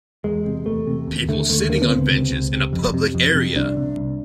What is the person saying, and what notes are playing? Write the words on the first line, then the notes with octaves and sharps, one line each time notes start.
People sitting on benches in a public area.
E2 G#3
C3
E2 A3
C3
D#2
D3 A3
D#2 A3
D3 A#3
B3
C#2 C4
C3
C#2
C3
F2
C3
F2
C3
C2 D4
C3
C2